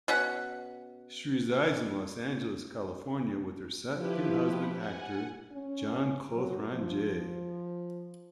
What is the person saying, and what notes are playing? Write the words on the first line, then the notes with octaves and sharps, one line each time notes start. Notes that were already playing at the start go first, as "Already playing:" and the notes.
She resides in Los Angeles, California with her second husband actor, John Cothran J.
B2 C#4 F#5
F3 E4 G4 B4
F#5 G#5
C#4
F#3
F3